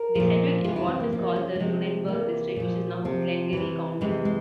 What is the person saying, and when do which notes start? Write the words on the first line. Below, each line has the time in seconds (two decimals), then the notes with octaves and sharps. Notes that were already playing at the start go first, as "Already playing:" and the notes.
They settled in what was called the Lunenburg District, which is now Glengarry County.
Already playing: A#4
0.15 A#2 F3
0.64 C3 E3 F4
0.76 E4
0.88 C4
1.00 A#3
1.13 C3 F3 A#3
1.36 C#4
1.56 A#3
1.60 C3 F3 G#3
2.08 C3 E3 A#3
2.56 A#2 F3
3.05 C3 F3 C4
3.53 C3 E3
4.01 C3 E3 G#3
4.25 G#3